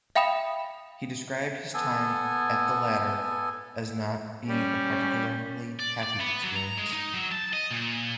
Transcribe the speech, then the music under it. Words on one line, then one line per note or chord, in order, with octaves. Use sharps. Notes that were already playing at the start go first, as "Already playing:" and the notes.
He described his time at the latter as not being a particularly happy experience.
E5 F5 G5 B5 D#6 E7
B3 A4 G#5
G3 C#4
D5
D5
B3
F#3
A#5
G#3
D#4
F#3
A5
D#5
A#2